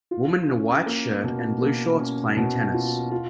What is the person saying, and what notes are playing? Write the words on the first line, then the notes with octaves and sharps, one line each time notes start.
Woman in a white shirt and blue shorts playing tennis.
F4
C#4
A#3
B2
A#3
C#4
B2
F4
F4